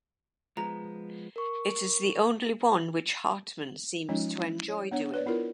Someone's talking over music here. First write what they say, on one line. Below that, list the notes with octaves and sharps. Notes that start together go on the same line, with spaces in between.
It is the only one which Hartman seems to enjoy doing.
F3 G#3 B3 A#5
A#4 C#6
F3 G#3 C#4 D#4 F4
E4
C#5
B3 D4 C#5 F#5
B4 C#5 D5
B3 E4 F4 A#4